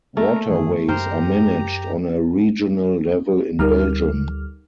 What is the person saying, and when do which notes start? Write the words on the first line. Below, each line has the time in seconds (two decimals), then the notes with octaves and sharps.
Waterways are managed on a regional level in Belgium.
0.17 A3 A#4 A#5
0.49 F#2 D#3 E3 G#4
0.88 F#2 G4 A#4 C5 A#5
3.59 D2 G3 D#4 G4 A#4 F6